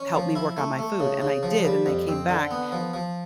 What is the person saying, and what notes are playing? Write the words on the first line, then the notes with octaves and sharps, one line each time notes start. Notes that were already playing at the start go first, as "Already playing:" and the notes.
help me work on my food, and I did, and I came back
Already playing: C#4
F3
E4
A3
A3
C#3
C#3
F3
G3
F2
C4
D3
B3
F3
F3